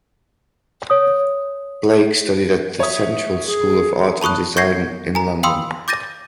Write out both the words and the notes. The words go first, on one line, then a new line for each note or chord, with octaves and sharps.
Blake studied at the Central School of Art and Design in London.
C#5 D#6
C#5 E5 D#6
G#4
A5 B5 C#6 D#6 F#6
C#6 G6 G#6 A#6 C7
G#5 A#5
F5 G5 B5 C6 D#6 E6
D6 G6 A6 A#6 D#7